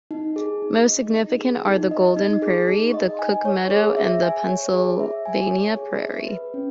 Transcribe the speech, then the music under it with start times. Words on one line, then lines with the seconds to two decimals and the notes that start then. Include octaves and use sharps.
Most significant are the Golden Prairie, the Cook Meadow and the Pennsylvania Prairie.
0.11 D#4
0.36 G#4
0.62 D#4
0.88 D#5
1.14 D#4
1.39 G#4
1.65 D#4
1.91 D#5
2.17 D#4
2.42 G#4
2.68 D#4
2.94 D#5
3.19 G#5
3.45 C#5
3.71 G#4
3.97 E5
4.22 G#5
4.48 C#5
4.74 G#4
5.00 E5
5.26 G#5
5.51 C#5
5.77 G#4
6.03 E5
6.28 B4
6.54 C#4